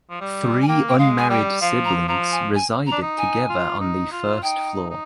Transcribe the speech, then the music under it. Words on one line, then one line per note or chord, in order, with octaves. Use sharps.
Three unmarried siblings resided together on the first floor.
F3
G3
G#5
A#3 G5
G5
G#3 F5
G#5
G3 G5
F3 F5
A#5
F3 A#5
G#5
G#5
A#5
D4
D#4
G#5
F4
D#4
F4
D#4 G5
D#4